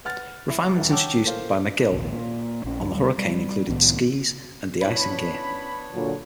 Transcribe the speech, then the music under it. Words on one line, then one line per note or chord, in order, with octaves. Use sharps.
Refinements introduced by MacGill on the Hurricane included skis and de-icing gear.
B4 F#5 F6 A6
E4
D#1 E4 F#5
C#5 F#5 G5 A5 D6 E6
A4 A#4 C5 F5
A#1 D#2 C3
A#2
A#1 C#4
D2 F#3 G3
G3
C2 A2 D#3 B3
B3 C#4 D4 E4 C#5 B5
A#2 D3 F#3